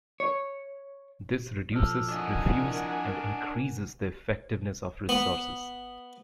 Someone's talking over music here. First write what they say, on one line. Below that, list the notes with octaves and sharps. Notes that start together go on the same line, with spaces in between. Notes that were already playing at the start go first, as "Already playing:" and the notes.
This reduces refuse and increases the effectiveness of resources.
C#5
F3 A4
D4 A#4 D#5 F#5 G#5
B3